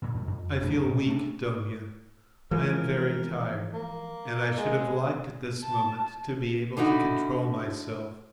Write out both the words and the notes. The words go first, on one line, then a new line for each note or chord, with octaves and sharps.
"I feel weak, Dounia, I am very tired; and I should have liked at this moment to be able to control myself."
A#2 D3
F2 G3
F2
D1 F#2 A3 D4
A2
A3 D4
E3 F3 G#3 A#4
A#3
G#3
A5
D3 D#4 E4 F#4